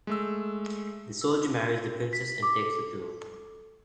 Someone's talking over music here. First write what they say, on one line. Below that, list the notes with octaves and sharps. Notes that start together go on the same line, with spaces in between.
The soldier marries the princess and takes the throne.
G#3 A3 E6
E6
B6
D6
A4